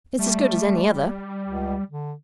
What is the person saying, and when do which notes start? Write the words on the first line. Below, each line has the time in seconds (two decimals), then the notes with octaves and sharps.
"It is as good as any other."
0.19 G3 A3
1.48 C#2
1.90 D3